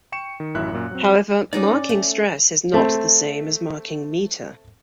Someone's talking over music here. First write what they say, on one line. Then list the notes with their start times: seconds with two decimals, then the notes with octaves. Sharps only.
However, marking stress is not the same as marking meter.
0.12 G5 C#6 C#7 E7
0.40 D#3
0.54 A1 F#2 E4 E5 F#6
0.72 F#2 A#2
0.91 F#3 C4
1.53 F#3 G#3 C#4 D#4 D5 D6
1.89 A3
2.74 A3 C4